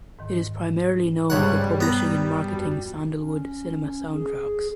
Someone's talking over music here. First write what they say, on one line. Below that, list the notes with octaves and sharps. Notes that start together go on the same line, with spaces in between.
It is primarily known for publishing and marketing Sandalwood cinema sound tracks.
G#2 D#3
C#2 G2 C3 G3 C#5 F#5
B3 A#5
F2 F#4
C#4
G#4